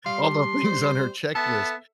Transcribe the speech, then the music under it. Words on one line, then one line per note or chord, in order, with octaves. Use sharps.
all the things on her checklist,
G3 F5 C6
D4
C5
B3 A4 E5 A5